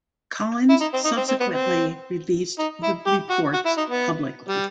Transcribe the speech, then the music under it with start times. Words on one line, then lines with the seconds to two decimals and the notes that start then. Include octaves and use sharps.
Collins subsequently released the reports publicly.
0.70 E4
0.81 D#4
0.94 C4
1.05 D#4
1.17 C4
1.29 C4
1.40 B3
1.52 C4
2.59 D#4
2.83 E4
3.07 G4
3.30 F#4
3.54 F#4
3.66 E4
3.78 D#4
3.90 B3
4.49 G3